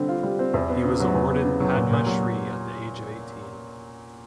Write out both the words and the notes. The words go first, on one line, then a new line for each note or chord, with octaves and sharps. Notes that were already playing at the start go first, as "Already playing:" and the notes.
He was awarded Padma Shri at the age of eighteen.
Already playing: D3 G3 C4
F4
G3
C4
E2
B3
C#3
F#3
E2
B3
C#3
F#3
A#2
A#2
F#3